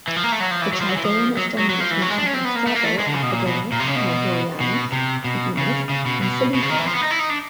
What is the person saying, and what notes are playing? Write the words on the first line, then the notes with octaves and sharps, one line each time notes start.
The "Chaldaean" astronomers mentioned by Strabo are Kidenas, Naburianos, Sudines, and Seleukos.
E3
F3
A#3
A3
F#3
F3
E3
F#3
F3
F#3
E3
F3
F#3
F#3
F#3
F3
E3
F#3
G#3
D4
C#4
C4
B3
A#3
A3
A#3
A3
G#3
D3
C#3
B2
A#2
B2
A#2
C3
C#3
B2
B2
C3
B2
C#3
C#3
B2
B2
B2
C#3
D#3
E3
F3
B3
D#4
E4
D#4
D4